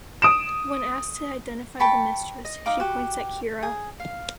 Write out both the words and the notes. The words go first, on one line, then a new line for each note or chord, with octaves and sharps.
When asked to identify the mistress, she points at Kira.
D#6 D7 E7
G5 A5 B5 C#6
D#5
D#4 F5 D6
F#4 G4
G#4
F5